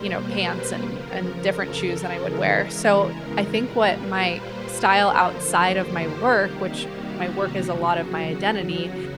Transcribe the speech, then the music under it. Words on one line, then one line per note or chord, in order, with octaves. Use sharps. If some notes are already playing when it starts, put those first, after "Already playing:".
you know, pants and and different shoes than I would wear. So I think what my style outside of my work, which my work is a lot of my identity,
Already playing: B2 G3 A#3 C5
B4
F2 C#3 F3 A#4
A4
E2 C#3 E3 G#3 A#4
A#2 G3 A#3 B4
C5
F#2 D3 F3 A#3
G4
C3 D#3 G3 A#3
F#4
E2 C#3 F#3